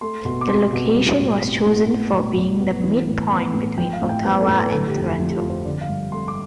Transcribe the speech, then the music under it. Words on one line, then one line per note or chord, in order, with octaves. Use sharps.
The location was chosen for being the midpoint between Ottawa and Toronto.
A3 C6
B2 C6
D6
C4 C6
B2
G3
A2
C4
A2
B3
B2
B2
B3
E3
A2
B3
A2
F3 G5
F5
A2
G5
B3 C5
A4
A2 B4
B4
D3 A4
G4
F2
F4
F3 E4
G4
F4
F2
C5
D3 D5
F5
G2
A3 C6
D6